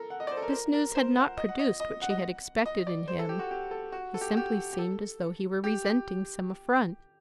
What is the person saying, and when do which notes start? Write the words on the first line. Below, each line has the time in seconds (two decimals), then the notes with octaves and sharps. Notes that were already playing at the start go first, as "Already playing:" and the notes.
But this news had not produced what she had expected in him; he simply seemed as though he were resenting some affront.
Already playing: A4 A#4
0.10 F#5
0.20 D#5
0.27 D5
0.31 C5
0.37 A4
0.42 A#4
0.49 C5
0.53 A#4
0.74 A#4
0.95 C5
1.17 F#5
1.37 D#5
1.49 F#5
1.59 D#5
1.80 D#5
2.02 F#5
2.10 D#5
2.18 F#5
2.66 D#5
2.87 D5
3.08 C5
3.19 A4
3.29 G4
3.39 F#4
3.51 G4
3.71 A4
3.92 F#4
4.14 A4
4.21 G4
4.30 F#4
4.37 G4
4.73 G4
4.79 A4
5.64 G4
5.84 G4